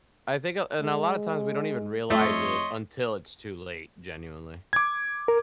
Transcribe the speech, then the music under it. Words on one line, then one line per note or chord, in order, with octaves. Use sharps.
I think, uh and a lot of times, we don't even realize it until it's too late genuinely.
G#3
F2 A3 C#5 D#5 C6
D6 G#6
A#4